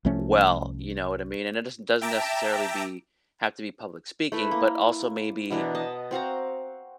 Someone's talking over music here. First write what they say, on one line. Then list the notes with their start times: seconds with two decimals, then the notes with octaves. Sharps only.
well, you know what I mean, and it doesn't doesn't necessarily be have to be public speaking, but also maybe,
0.05 C2 F3 A3 C#4
2.01 E5 G5 A5 A#5 D6 E6
4.32 A3 E4 B4
4.51 A#3
5.50 B2 E3 D4 A#4
5.75 D#5 A5
6.11 C4 F#4 F5 A#5